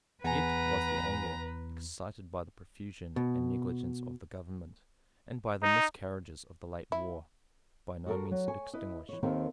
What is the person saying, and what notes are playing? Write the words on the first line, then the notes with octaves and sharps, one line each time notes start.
Yet was the anger excited by the profusion and negligence of the government, and by the miscarriages of the late war, by no means extinguished.
E2 B4 F#5 G#5 A#5
B2
D#4
E4
F#4 A4 A#4
F#3
C#5 G#5
E4 B4 D#5
E3 C#5
D#2 D#3 C4 G4 A4 A#4